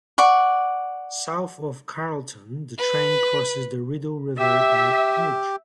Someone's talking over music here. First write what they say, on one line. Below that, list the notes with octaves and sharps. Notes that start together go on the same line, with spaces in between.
South of Carleton, the train crosses the Rideau River by a bridge.
D5 F#5 C#6
B4
G4 E5